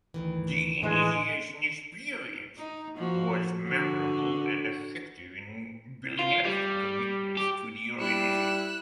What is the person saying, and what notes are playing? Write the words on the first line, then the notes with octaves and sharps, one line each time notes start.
The initiation experience was memorable and effective in building lasting commitments to the organization.
D2 D#3 E3
A2 E3 G#3 A3
D#4
F3 A#3 F#4
D3 F#4
F4
G3
G4
G3 E4 E6 F#6